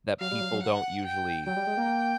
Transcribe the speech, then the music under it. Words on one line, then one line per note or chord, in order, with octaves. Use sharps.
that people don't usually
F#3 F5
G3
F#3
F#3
F#5
G5
F#3 G5
G3
G#3
A#3